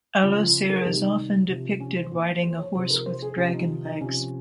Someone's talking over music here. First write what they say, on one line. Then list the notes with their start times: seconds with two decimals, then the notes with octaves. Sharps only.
Allocer is often depicted riding a horse with dragon legs.
0.23 C#3 F3 F4
0.39 F4
0.70 A#4
0.81 G#4
0.85 C3 D#3 G3 G4
1.02 D#4
1.49 C3 F3
1.80 C#4
1.97 C5
2.11 A#2 F3
2.43 C5
2.59 C#5
2.74 C3 F3 C5
2.90 A#4
3.06 C5
3.22 G#4
3.37 C3 F3 C#4
3.53 D#4
3.85 D#4
4.01 C3 F3 C#4